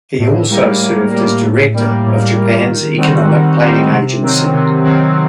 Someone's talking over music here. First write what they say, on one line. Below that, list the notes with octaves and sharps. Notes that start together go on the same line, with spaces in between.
He also served as director of Japan's Economic Planning Agency.
A2
G3 A#3
A2
G3 A#3
A2
G3 A#3
A2
G3 A#3
D#3
G3 C4 D#4 F#4
D#3
G3 C4 D#4 F#4
C3
D#3 F#3 C4
C3
D#3 F#3 C4